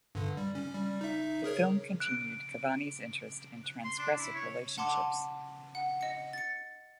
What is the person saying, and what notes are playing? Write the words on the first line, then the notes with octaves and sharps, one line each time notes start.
The film continued Cavani's interest in transgressive relationships.
G2 D3
G3
C#4
G3
D#4 E5
G#4 A#4 C#5
F#6 D7
C6
D4
E4
C#5
F#5 A5 C6 D6
F#5
D#5 C#7
A6 C#7